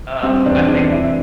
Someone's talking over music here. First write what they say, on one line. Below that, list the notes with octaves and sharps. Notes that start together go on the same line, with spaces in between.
um, I think
G3 C4
E2 D4
E2 D4
C3 E4